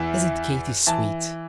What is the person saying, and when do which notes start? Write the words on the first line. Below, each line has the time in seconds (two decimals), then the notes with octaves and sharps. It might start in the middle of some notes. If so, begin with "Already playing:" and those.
"Isn't Katy sweet?"
Already playing: E2 E3 E5
0.87 E3 A5